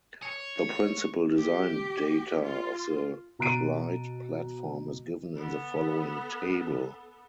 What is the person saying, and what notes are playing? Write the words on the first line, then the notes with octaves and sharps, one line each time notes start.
The principal design data of the Clyde platform is given in the following table.
C#5
G4
F4
B2 A#5 F#6 D7 D#7
B3 A4